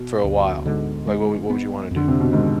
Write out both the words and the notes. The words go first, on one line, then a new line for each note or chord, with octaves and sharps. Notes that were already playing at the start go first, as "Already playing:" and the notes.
for a while. Like, what what would you wanna do?
Already playing: B2
D2
G#2 D3
G#3
B3
F2 D3
C3
B2
G#2 D#3